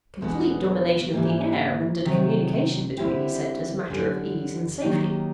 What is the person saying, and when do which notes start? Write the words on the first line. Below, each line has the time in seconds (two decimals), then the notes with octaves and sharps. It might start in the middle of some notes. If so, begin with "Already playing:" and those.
Complete domination of the air rendered communication between these centers a matter of ease and safety.
0.21 E2 B2 G#3 B3 D4
1.13 G#2 E3 G3 A#3
2.05 C3 D#3 F#3
2.97 D3 G3 C4 E4 G4
3.90 F#2 D3 G3
4.82 D#3 F#3 A#3 D#4 G4